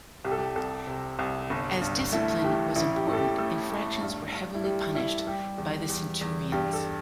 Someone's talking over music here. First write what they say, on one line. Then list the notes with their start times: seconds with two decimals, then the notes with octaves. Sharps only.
As discipline was important, infractions were heavily punished by the centurions.
0.25 C2 G4
0.32 A4
0.38 G4
0.56 C2 A4
0.87 C3
1.19 C2
1.50 G1
1.81 G2
2.12 A3 E4
2.44 E3 G4
2.76 A1 E4
2.96 G4
3.07 A2
3.13 A4
3.17 G4
3.38 A3 A4
3.70 A3
4.01 G2
4.32 G2
4.54 E4
4.64 G3 G4
4.95 G3 E4
5.27 G3 G4
5.58 E2
5.89 E2
6.21 E2
6.52 G2 G4
6.73 A4